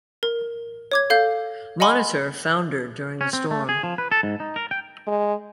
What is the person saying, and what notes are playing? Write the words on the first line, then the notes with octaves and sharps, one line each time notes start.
"Monitor" foundered during the storm.
A#4
C#5 D6 G#6
A4 F5 G6
D#5 F#5 G#5 B5 C6
C#4
C4
A3
G#4
F3
B4
A4
G#2
D#4
A#4
G5
G#3